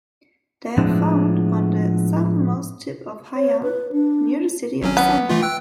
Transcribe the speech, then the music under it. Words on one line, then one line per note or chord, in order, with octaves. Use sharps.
They are found on the southernmost tip of Hainan near the city of Sanya.
A2 F3 G#3 B3 D4 E4
C#5
B4
D4
G#1 F#3 C#4
B3
E3 A3 F4
G5 E6 F#6